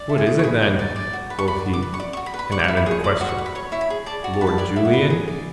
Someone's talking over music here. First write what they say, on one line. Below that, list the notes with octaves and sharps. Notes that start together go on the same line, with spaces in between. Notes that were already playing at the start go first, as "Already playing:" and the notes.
"What is it, then?" quoth he, and added the question: "Lord Julian?"
Already playing: D5
E4
G#5
G#4
C#6
G#4 B5
D5
D5
D5
F#4
B4
C#6
D5 B5
F#4
D6
B4
C#6
D5 D6
C#6
F#4
B5
B4
B5
D5 C#6
D6
C#6
E4
B5
G#4 C#6
D5 D6
F#4
C#6
B4
B5
C#5 C#6
E4 C#6
B5
G#4
D5 A5
F#4
A5
B4
A5
D5 G#5
E4
F#5
B4
G#4
D5